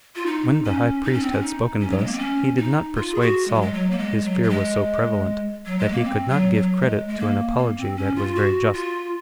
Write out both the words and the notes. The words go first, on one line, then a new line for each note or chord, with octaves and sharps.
When the high priest had spoken thus, he did not persuade Saul, his fear was so prevalent, that he could not give credit to an apology that was very just.
F4
D#4
C#4
D#4
C#4
C4
C#4
D#4
C#4
F#3
G#3
A#3
C4
C#4
D#4
F4
G#4
F#4
G#3
F#3
G#3
F#3
A#3
G#3
F#3
F#3
G#3
F#3
G#3
A#3
C4
F#3
F#3
G#3
G#3
A#3
A#3
C4
C#4
F4
F#4
F4